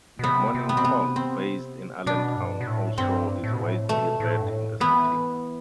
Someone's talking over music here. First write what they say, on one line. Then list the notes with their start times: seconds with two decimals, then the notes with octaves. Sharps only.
"The Morning Call", based in Allentown, also is widely read in the city.
0.19 B2
0.24 C3 B3
0.55 C3
0.69 B3
0.76 B2 C4
0.84 C3 B3
1.16 C4
2.06 B2 D4
2.36 G2
2.61 B2
2.67 A2
2.98 G2 C4
3.44 A2
3.53 B2
3.62 A2
3.89 B2 A3
4.20 A2
4.41 G2
4.49 A2
4.80 E3 B3